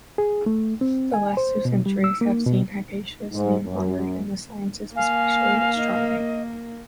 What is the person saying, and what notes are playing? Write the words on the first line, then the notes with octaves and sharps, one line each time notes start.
The last two centuries have seen Hypatia's name honored in the sciences, especially astronomy.
G#4
A3
C4
G#5
C5
B2
G3
E6
A#3
B2
G#2
F#2
A#3 F5 G#5
D#5